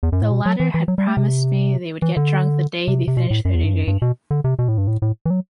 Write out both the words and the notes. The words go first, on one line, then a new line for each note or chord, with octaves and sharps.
The latter had promised me they would get drunk the day they finished their degree.
E2
F#2
A2
B2
F#3
E3
E3
F#3
G3
A3
C3
E3
D3
C3
C3
B2
A2
F#2
E2
G2
F#2
G2
B2
D3
C3
B2
A2
G2
A2
A2
E3
F#3